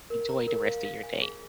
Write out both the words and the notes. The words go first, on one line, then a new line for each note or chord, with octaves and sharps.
enjoy the rest of your day.
A#4
A#5
A#4
F5
F5
G#5
G#4